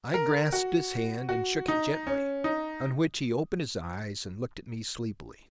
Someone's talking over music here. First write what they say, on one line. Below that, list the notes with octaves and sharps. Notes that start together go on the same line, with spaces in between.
I grasped his hand and shook it gently, on which he opened his eyes and looked at me sleepily.
A#4
F#4
F#4
D#4
C#4
D#4